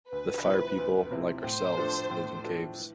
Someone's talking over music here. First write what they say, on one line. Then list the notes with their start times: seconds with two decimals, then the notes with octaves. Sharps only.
The Fire People, like ourselves, lived in caves.
0.12 D2 B4
0.45 C3 F3 C4 E4
0.78 D2
1.11 C3 F3 C4 E4
1.44 A2 C5
1.77 F3 A3 D4 A4
2.11 A2
2.44 F3 A3 D4 A4
2.77 E3